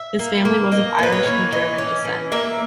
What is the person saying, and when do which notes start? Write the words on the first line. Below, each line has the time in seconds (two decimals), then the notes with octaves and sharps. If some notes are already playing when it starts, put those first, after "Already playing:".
His family was of Irish and German descent.
Already playing: E5
0.19 A#3
0.45 A#3
0.72 A#3 D#5
0.98 A#3 B4
1.12 C#5
1.26 E3
1.52 E3 D#5
1.78 C#4
2.05 E3
2.32 A#3 E5